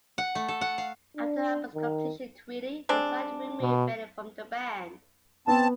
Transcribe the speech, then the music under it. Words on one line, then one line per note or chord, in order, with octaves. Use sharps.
After the album's completion, Tweedy decided to remove Bennett from the band.
F#5
A3
A4
F#5
F5
D4
D#3
G#3 C4 D4
B2
B3 C4 A5